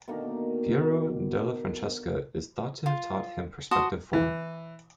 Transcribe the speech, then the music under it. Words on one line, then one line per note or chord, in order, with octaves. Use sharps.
Piero della Francesca is thought to have taught him perspective form.
B2 D3 D#3 A#3
F4
F#4 A5 C6 D#6
E3